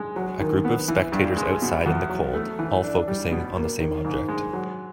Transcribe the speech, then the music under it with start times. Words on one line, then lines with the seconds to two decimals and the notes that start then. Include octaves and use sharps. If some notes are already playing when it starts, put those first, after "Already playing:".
A group of spectators outside in the cold, all focusing on the same object.
Already playing: G#3
0.16 F#3
0.40 D#3
0.65 B3
0.88 E3
1.12 G2
1.37 G#3
1.62 B2
1.86 E2
2.09 F#3
2.34 A3
2.59 E3
2.84 D4
3.08 G3
3.31 B2
3.56 A#3
3.80 D#3
4.05 G#2
4.28 G#3
4.53 F#3